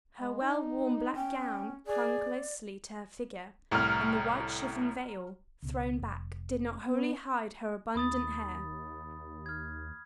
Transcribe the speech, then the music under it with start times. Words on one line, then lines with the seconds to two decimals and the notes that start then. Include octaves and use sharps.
Her well-worn black gown clung closely to her figure, and the white chiffon veil, thrown back, did not wholly hide her abundant hair.
0.20 G#3
0.41 D#4
1.16 C#4 G5
1.87 G#4 D5
3.71 C2 A2 A#5 F6
5.62 C#2 B2
6.00 F1
6.88 B3
7.95 D#2 B5 D#6 A6
9.46 F6 G#6